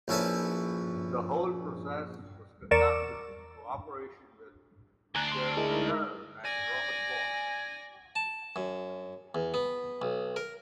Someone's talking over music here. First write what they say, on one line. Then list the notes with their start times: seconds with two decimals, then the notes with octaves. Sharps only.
The whole process was conducted in cooperation with Goerdeler and Robert Bosch.
0.08 A#1 C#4 E4 A4 B4
2.71 E2 A#4 D5 C#6 D6 E7
5.15 D2 D4 G#5 A#5 F#6
5.27 C6 C7
5.57 G#3 D#4 E4 A#4 D#5
6.44 D5 G#5 A#6
8.16 A5
8.56 F#2
9.35 E2
9.54 B3
10.02 B1
10.36 A#4